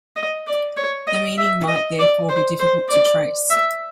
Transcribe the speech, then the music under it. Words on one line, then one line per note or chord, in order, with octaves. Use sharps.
The meaning might therefore be difficult to trace.
D#5
D5
C#5
D#5
E5
D#5
D5
C5
C5
D5
E5